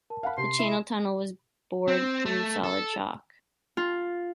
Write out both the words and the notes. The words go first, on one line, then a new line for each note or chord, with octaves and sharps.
The Channel Tunnel was bored through solid chalk.
A#4 A5
F5 F#5 B5
C3 C6
E4 E7
C4
A3
A4
F4